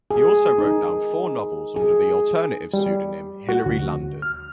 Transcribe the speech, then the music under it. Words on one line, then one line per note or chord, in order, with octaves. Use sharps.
He also wrote four novels under the alternative pseudonym Hilary Landon.
G#4
D#4
G#4
G3
F#4
D2
F6